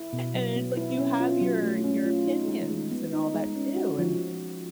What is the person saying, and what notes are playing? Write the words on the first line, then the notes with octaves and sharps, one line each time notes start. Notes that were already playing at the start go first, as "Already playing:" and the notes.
and it's, like, you have your your opinions, and all that too, and
Already playing: E4
B2
F#3
B3
E4
C#4
F4
F#3
A3
C#4
F4
D#4
G#3
G#3
B3
D#4
G#3
C#4
F#4
F3